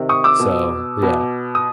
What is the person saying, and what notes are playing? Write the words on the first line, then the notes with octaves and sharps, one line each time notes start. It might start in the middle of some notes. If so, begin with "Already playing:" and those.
so yeah.
Already playing: C3 D#3
C#6 D#6
D6 E6
B2
B2
D#6